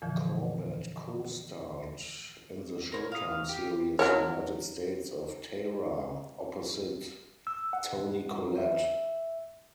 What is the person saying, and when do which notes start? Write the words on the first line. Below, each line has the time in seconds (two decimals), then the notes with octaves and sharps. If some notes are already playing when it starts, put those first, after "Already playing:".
Corbett co-starred in the Showtime series "United States of Tara" opposite Toni Collette.
0.02 F2 A#2 D3 E3 F3
2.92 A#4 C5 C#5
3.12 F5 D#6
3.49 G4
3.99 F#3 A#4 C#5
7.47 E6
7.73 F#5
8.58 E5